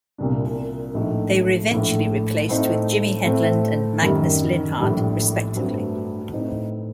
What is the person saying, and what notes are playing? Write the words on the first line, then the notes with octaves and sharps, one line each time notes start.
They were eventually replaced with Jimmy Hedlund and Magnus Linhardt, respectively.
C2 A#2 G3 D4
A#1 A2 A3 D#4
A#1 A2 A3
A2 A3 C4 D#4
A2 A3 C4
F#2 D#3 G3
A#1 A2 G3
G2 F#3 A3 C4
A2 A3 C4 D#4